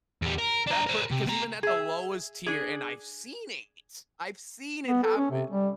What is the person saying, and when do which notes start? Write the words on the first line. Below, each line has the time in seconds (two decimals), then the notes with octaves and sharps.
That per 'cause even at the lowest tier and I've seen it. I've seen it happen.
0.22 E2 G3
0.38 A#4
0.67 D4 A#5
0.86 A#4 C5
1.11 C3
1.27 B2 A#5
1.63 G#4 E5
2.46 D4 G#4
4.88 B3
5.04 A4
5.17 C#4
5.31 C3
5.51 G3